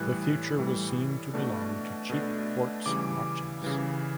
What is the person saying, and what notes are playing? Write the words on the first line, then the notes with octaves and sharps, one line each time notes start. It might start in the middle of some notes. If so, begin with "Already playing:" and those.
The future was seen to belong to cheap quartz watches.
Already playing: A2 E3 G3 F#6
A2 E3 G3
B2 A3 D4
B2 A3 D4
C#3 E3 G3 D6
C#3 E3 G3